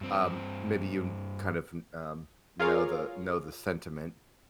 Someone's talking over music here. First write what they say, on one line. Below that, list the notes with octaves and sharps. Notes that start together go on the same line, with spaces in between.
um, maybe you kn kind of n um, know the know the sentiment,
G2 C4
F4 G#4 A#4 C#5 F5